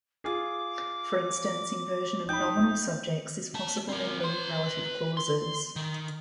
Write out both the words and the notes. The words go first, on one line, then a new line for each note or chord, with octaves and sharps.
For instance, inversion of nominal subjects is possible in many relative clauses.
F4 G#4 D6
D#4 G5 B5 G6
A3 A5
C4 A#4
B4 C6
C6
D#3